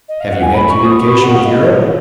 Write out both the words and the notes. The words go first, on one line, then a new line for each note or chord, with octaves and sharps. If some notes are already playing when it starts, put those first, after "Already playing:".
Have you had communications with Europe?
D#5
F5
F#5
G#5
B5
C#6
D#6
C#6
B5
F#5
F5
D#5
C#5